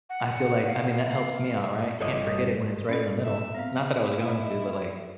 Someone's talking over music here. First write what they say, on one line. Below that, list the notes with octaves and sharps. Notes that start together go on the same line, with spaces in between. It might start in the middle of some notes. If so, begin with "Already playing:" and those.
I feel like I mean, that helps me out, right, can't forget it when it's right in the middle. Not that I was going to, but, like,
F#5
F5
G1 A4 C#5 D#5
C#4 A4
E5
B3 C4 F5
E4
D#5